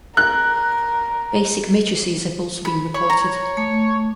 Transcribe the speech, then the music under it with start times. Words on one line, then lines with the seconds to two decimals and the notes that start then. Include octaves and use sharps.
Basic matrices have also been reported.
0.17 A#4 F#6
2.65 B5
2.94 C#5 B5
3.10 A#5
3.57 A3